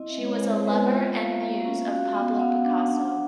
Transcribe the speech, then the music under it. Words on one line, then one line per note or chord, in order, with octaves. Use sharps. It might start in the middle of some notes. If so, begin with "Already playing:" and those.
She was a lover and muse of Pablo Picasso.
Already playing: C4 E4 D#5
E5
G#3
C#5
G#3 C5
B3 B4
F4 E5
A#3 F5
A#3 E5
C#4
F#4 F5
B3
F#5
B3 F5
D4
D4 F#5